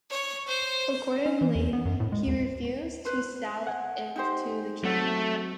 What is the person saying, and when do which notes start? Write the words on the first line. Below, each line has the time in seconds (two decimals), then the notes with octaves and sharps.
Accordingly, he refused to sell it to the king.
0.10 C#5
0.47 C5
1.26 C#4
1.41 E3
1.55 E2
1.73 B3
1.85 F#2
2.00 A2
2.12 G#3
2.27 D#2
3.05 B4 C5
3.67 F#5 G#5
4.16 D#4 G4 C5
4.84 F#3 A3 C4 F#4